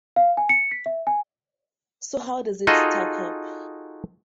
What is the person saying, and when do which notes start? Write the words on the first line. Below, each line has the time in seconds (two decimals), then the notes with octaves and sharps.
So how does it stack up?
0.16 F5
0.37 G#5
0.49 C#7
0.71 B6
0.86 E5
1.07 G#5
2.67 D#4 F4 F#4 G#4 A4 D#5